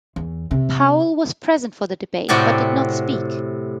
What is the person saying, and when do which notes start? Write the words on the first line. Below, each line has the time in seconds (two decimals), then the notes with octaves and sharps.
Powell was present for the debate but did not speak.
0.16 E2
0.51 C3
2.29 A2 C3 F#4 D5 G5